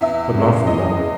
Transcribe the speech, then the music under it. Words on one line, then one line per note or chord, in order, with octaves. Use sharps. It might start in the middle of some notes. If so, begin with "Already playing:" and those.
But not for long.
E2 E5
C#3 G#3
E2 D#5
G#3